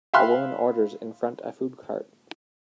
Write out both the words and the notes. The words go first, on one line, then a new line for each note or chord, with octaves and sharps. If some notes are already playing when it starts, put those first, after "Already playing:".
A woman orders in front a food cart.
E5 F5 B5 C6 F6 F#6